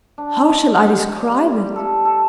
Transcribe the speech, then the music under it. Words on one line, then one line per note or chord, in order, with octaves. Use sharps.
How shall I describe it?
D4
D#5
F#5
G4
D5
G3
A4
A4